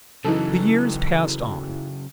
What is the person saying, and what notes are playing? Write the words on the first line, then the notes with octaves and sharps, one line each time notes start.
The years passed on.
C#3 E3 F#3 D#4 A4